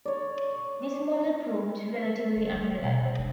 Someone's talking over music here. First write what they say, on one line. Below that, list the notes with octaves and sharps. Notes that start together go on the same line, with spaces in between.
This model proved relatively unreliable.
C#5 D5
D3 C#4
A3 F4
D#3
B2
G#3
F1 D4